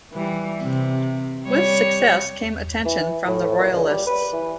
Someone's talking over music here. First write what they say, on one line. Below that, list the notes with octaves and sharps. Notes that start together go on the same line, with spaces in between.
With success came attention from the Royalists.
E3 G3
C3
G3 C#5
E3
A2
A#2
C#2
G3
B4
E3